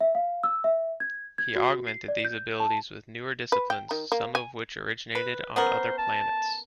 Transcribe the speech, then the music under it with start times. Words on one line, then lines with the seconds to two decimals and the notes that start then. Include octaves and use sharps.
He augmented these abilities with newer disciplines, some of which originated on other planets.
0.01 E5
0.15 F5
0.43 E6
0.64 E5
1.00 G#6
1.38 G#6
1.56 F#4
1.87 C7
2.08 D5
2.25 G6
2.60 A5
3.52 B4
3.70 G5
3.91 D#3
4.12 A#3
4.35 G#5
5.15 B4
5.56 B3 C#4 A#4 C5
5.98 A5